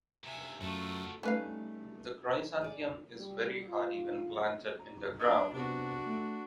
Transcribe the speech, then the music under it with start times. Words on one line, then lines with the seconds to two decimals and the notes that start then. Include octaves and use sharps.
The chrysanthemum is very hardy when planted in the ground.
0.24 D#2 C3 E5 G#5
0.61 F#2 A3 F4 F#4 A4
1.23 G3 A3 C#4 D#4 B4 F5
2.61 G#4 D5
3.16 G3
3.68 F4
4.79 A#5
5.19 D4 D#5 D#6
5.52 C3 B3 C4 D4 F#4
6.06 A3